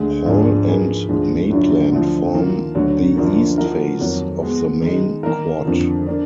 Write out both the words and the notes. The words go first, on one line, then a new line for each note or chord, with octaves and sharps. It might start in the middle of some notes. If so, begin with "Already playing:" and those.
Hall and Maitland form the East face of the main quad.
Already playing: D2 D3 G#3
G#2 F3 G#3 D4 G#4
F3 A#3 D#4 G#4 B4
D2 D3 F3 G#3
F#2 D3 F#3 D4 F4
D2 D3 F3
D#3 A#3 F4
D2 D3 F#3
F#2 D3 F3 A#3
F3 A#3 D#4 F#4 A#4
F2 D#3 F#3 A#3
B2 G#3 B3
D#3 G#3 D#4
D#3 A#3 D#4 A#4
F2 D3 F3
A#3 D4